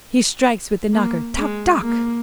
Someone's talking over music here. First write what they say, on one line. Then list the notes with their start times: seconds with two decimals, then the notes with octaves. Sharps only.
He strikes with the knocker: 'Toc! toc!'
0.93 A#3
1.38 G#3
1.83 A#3